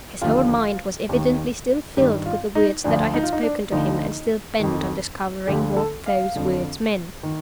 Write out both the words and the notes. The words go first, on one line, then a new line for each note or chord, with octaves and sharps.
His whole mind was evidently still filled with the words that I had spoken to him, and still bent on discovering what those words meant.
D#2 D3 F3 F4
D#2 D#3
G2 D#3 G4
F4
D#4
D2 D3 F3 D4
D#4
F4
D#4
D4
D2 D3 F3 D#4
F2 D#3
D2 D3 F3 G4
A4
F5
F2 D3 F3
D#3